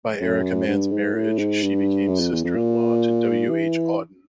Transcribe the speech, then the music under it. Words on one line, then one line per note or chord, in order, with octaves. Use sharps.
By Erika Mann's marriage, she became sister-in-law to W. H. Auden.
F#2
G2
G#2
A2
G#2
G2
F#2
F2
E2
F2
A#2
E3